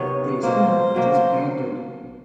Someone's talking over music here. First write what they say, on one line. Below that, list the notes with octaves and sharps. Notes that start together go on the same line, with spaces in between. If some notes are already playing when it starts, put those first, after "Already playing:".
They soon disbanded.
Already playing: C3 D#3 F#3 B3 C#5
B2 F#3 A#3 C5
C5
B2 F#3 A#3